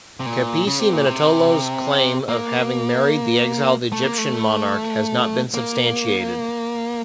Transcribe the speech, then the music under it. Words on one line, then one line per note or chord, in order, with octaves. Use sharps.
Capece Minutolo's claim of having married the exiled Egyptian monarch has not been substantiated.
C3
A#2
C#3
C3
A#2
C3
A#3
A3
A#3
A3
A#3